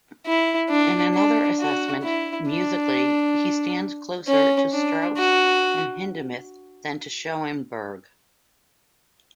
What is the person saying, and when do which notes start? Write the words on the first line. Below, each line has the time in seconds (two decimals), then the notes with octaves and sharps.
In another assessment, Musically, he stands closer to Strauss and Hindemith than to Schoenberg.
0.26 E4
0.70 D4
1.15 D4
1.59 F#4
2.04 E4
2.49 D4
4.28 C#4
4.73 D4
5.17 F#4